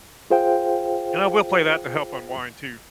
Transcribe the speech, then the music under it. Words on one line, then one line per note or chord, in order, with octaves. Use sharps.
And I will play that to help unwind too.
F4 G#4 C5 F5 G5